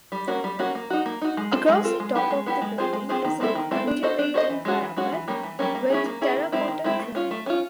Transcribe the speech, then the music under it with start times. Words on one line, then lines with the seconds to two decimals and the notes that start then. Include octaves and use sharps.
Across the top of the building is an undulating parapet with terra cotta trim.
0.12 G3
0.27 A#3 C#4 F#4
0.44 G3
0.59 A#3 C#4 F#4
0.75 A#3
0.90 D#4 F#4
1.06 A#3
1.22 D#4 F#4
1.37 G#3
1.52 C4 F4 A4
1.69 G#3
1.84 C4 F4 A4
2.00 G#3
2.15 B3 E4 G4
2.31 G#3
2.46 B3 E4 G4
2.61 G#3
2.78 C4 F4 G#4 C5
2.93 G#3
3.09 C4 F4 G#4 C5
3.25 D#3
3.40 G#3 C4 E4 A4
3.55 D#3
3.71 G#3 C4 E4 A4
3.87 D4
4.03 F#4 A4 C5 D#5
4.19 D4
4.34 F#4 A4 C5 D#5
4.50 E3
4.65 G#3 C#4 F#4
4.81 E3
4.97 G#3 C#4 F#4
5.12 E3
5.28 G3 A#3 C#4
5.43 E3
5.59 G3 A#3 C#4
5.75 A#3
5.90 C#4 E4 G#4
6.06 A#3
6.21 C#4 E4 G#4
6.37 D#3
6.52 G#3 C4 E4
6.68 D#3
6.84 G#3 C4 E4
7.00 A3
7.15 C#4 F4
7.31 A3
7.46 C#4 F4